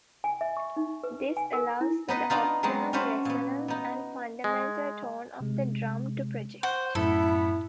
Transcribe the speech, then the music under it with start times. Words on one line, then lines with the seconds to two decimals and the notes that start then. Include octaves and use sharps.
This allows for the optimum resonance and fundamental tone of the drum to project.
0.24 G#5
0.41 E5
0.57 C#6
0.76 D#4
1.04 B4
1.37 G#5
1.53 A#4
1.81 E4
2.09 B3 D#4 B4 D#5
2.30 B3 D4 D#4 F4
2.63 F#3 G#3 B3 C4 D#4
2.93 C#4 D4 F#4 B4 C5
3.25 A#2 B3
3.68 B3 D#4
4.44 G#3
5.41 C3 G#3
6.63 C5 F#5 C#6
6.95 F#2 A2 B3 E4 A4